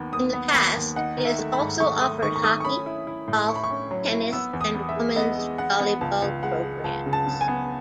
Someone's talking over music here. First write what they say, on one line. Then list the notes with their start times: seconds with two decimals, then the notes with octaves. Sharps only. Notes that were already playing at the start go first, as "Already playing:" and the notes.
In the past, it has also offered hockey, golf, tennis, and women's volleyball programs.
Already playing: D#2 D#3 B3
0.13 D#2 D#6
0.33 B3
0.54 D#2 B5
0.75 D#2
0.96 D#4 F#5
1.18 D#3
1.25 E5
1.39 A3
1.53 B5
1.60 G#2
1.80 A3 C#6
2.01 A3 D#6
2.23 D#3 C#6
2.36 C#6
2.44 A3 D#6
2.60 C#6
2.65 C#4 B5
2.86 E4
3.07 E4
3.28 A2
3.49 E4 C#6
3.56 B5
3.64 C#6
3.70 C#4
3.91 F#3
4.11 E4
4.33 B3 E6
4.53 E2
4.61 D#6
4.75 B3
4.89 E5
4.96 G#3
5.16 B3 D#5
5.38 G#3
5.58 B3 F#5
5.80 B3
6.01 C#2 A5
6.22 C#2
6.43 G#3 F#5
6.63 G#3
6.84 C#2 A5
7.06 C#3
7.13 A5
7.27 C#3
7.41 G#5
7.48 B3